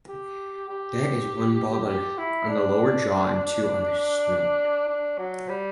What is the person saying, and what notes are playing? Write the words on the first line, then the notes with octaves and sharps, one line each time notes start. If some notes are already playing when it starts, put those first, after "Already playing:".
There is one barbel on the lower jaw and two on the snout.
G4
G4
G4
E4
D4
D4
F#3
G3